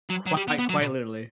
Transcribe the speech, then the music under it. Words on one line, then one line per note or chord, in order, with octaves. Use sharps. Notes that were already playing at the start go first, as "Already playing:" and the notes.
Quite quite literally.
F#3
F#3
G3
B3
B3
F#3
B2